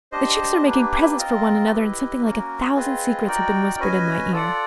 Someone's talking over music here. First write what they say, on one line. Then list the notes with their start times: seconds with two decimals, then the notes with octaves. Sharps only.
The chicks are making presents for one another, and something like a thousand secrets have been whispered in my ear.
0.12 D4 G4 C5 D#5
0.65 A#3 D4 G4 B4
1.17 C4 F4 A#4 D#5
1.69 E4 G4 B4 D#5
2.22 A#3 C#4 F#4 A#4
2.75 C4 F4 G#4 B4 D#5
3.27 D#4 F#4 A#4 D5 G5
3.79 C#4 F#4 B4 D#5 G#5
4.32 F4 A4 D5 F#5